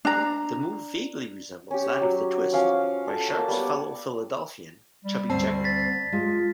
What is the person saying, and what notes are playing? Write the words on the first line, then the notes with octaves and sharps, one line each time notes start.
The move vaguely resembles that of the twist, by Sharp's fellow Philadelphian Chubby Checker.
D4 A#5
C#4 G4
F#3
F3 C#4 F5 D6
A4
A#3 A5
G3 B3 C#5 D6
G3
D2 C4 A5 C7
A6 B6
G#3 F4